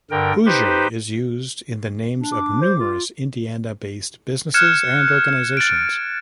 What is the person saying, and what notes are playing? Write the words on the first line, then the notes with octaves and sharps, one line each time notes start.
"Hoosier" is used in the names of numerous Indiana-based businesses and organizations.
G2 D3 A#4 G5
D#4 G4 B4 C5
D4
D6
C5
F4
F6 F#6 G#6 C#7 E7
A6 D7